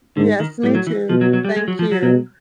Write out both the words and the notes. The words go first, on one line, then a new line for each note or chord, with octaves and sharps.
Yes, me too. Thank you.
G#2 D3
D#3
A2 G3
F#3
E3
B2 F3
F#3
F#3
G3
G#3
F#3
F3
F#3
B2 F#3